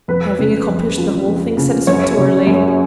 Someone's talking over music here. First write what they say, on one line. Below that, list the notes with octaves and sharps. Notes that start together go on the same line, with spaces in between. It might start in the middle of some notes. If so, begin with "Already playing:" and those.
"Having accomplished the whole thing satisfactorily."
F2 B4
C#3
F2
F3
F2
C#3
F#2 C#5
C#3
F#2